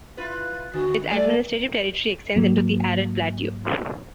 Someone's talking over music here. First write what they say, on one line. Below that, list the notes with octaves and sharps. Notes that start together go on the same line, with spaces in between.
Its administrative territory extends into the Arad Plateau.
E4 F4 B4
D3 B3 F#4
F#3 A3 A4 D5
G#2 F#3 A#3